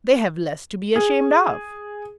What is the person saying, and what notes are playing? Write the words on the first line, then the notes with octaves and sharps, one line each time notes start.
They have less to be ashamed of.
G#4